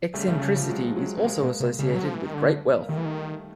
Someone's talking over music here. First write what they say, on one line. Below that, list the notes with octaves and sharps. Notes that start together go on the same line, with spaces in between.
Eccentricity is also associated with great wealth.
C#3 G3 A3
D3
C#3 G3 A3
G3 A3
F3 G3
F#3 G#3
F#3 G#3
C#3
C3 G#3 A#3
B2
C3
C#3 G3 A3
F#3
F3
E3
D#3
D3
A#3
D#3 G3 A3
E3
D#3